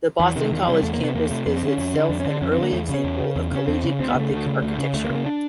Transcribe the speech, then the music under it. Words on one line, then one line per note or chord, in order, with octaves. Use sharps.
The Boston College campus is itself an early example of Collegiate Gothic architecture.
E2 E3
C3 D#3
E2 D#3
F3
C3 G3
E2 A3
A#3
C3
B3
E2 A#3
C3 A3
F2 B3
C4
D3
C#4
F2
D3
F2 D4
C#4
D3
D4
F2 C#4
C4
D3
A#3
E2 A3
C#3
C#4
E2
C#3
E2
C#3 C#4
E2 C4
C#3
D2 C4
B3
C#3 A3
D2
C#3
D2
C#3
D2 A3
A#3
C#3
A#3
D4